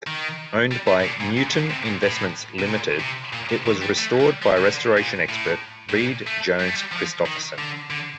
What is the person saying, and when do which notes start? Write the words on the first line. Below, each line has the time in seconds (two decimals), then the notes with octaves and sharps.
Owned by "Newton Investments Limited", it was restored by restoration expert Read Jones Christofferson.
0.07 D#3
0.72 G3
0.87 A3
1.00 A2
1.04 A#2
1.21 A#2
1.37 A#2
1.53 D3
1.70 C3
1.86 A#2
2.03 A2
2.60 C3
2.68 A#2
3.00 C3
3.33 A#2
3.49 C3
3.66 D#3
3.82 G3
3.98 A3
4.20 G3
4.43 F3
4.57 C3
4.63 D3
4.97 A#2
5.29 A2
5.89 A2
5.95 A#2
6.27 A3
6.60 G3
6.68 A3
6.76 G3
6.92 F3
7.26 D#3
7.58 D3
7.90 D3